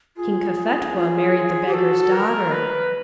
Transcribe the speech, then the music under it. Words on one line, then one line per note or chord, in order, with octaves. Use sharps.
King Cophetua married the beggar's daughter.
F4 G#4
G#4
F4 G#4
G4
F#4 A4
A#4
B4